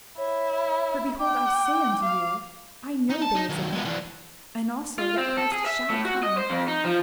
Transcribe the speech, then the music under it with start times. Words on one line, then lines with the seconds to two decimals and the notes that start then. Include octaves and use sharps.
For behold, I say unto you, I know there is a God, and also that Christ shall come.
0.18 E4 C#5
1.19 G5 D6
2.04 F5
3.10 D#4
3.22 A5
3.35 D#4
3.49 D#3 F#3
3.72 G#3 B3
3.85 E3 D4
4.98 F4
5.18 C4
5.37 A4
5.52 G#4
5.66 E5
5.90 A2
6.05 F#4
6.23 D#5
6.38 C5
6.50 F2
6.68 D#4
6.85 F3